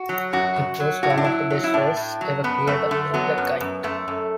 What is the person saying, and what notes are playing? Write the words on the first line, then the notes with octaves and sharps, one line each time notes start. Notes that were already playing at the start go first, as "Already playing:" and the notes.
It was one of the best shows ever created of that kind.
Already playing: F#4
F#3
F#2 F#4
F#2
F#3
A2 F#4
E4
D4
F#3 E4
F#3
E4
A2 D4
A2
F#3
F#2 B3
F#2 A3
D3 A3
F#3 B3
F#2
F#2
F#2 A3
F#2